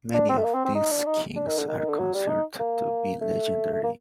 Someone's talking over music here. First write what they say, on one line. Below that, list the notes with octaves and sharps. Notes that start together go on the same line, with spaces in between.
Many of these kings are considered to be legendary.
D4
C4
A3
A#3
C4
C4
D#4
D4
D#4
D4
D#3
D3
D#3
D#3
D3
F#3
G3
D#4
A#3
A3
A3
A#3